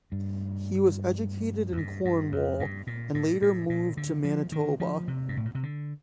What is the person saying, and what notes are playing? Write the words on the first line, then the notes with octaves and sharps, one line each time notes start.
He was educated in Cornwall, and later moved to Manitoba.
G2
F2
G2
G2
F2
G2
A#2
A2
A2
A#2
D3
F3
D#3
F3
C3
G2
A2
A#2
C3
D3